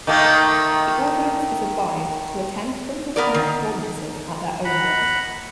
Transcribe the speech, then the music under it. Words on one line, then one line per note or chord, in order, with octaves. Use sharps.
The audience is advised to attend Thimbletron performances at their own risk.
D#3 A3 A#3
B3 A#4 D5
D#3
F#5 A#5 B5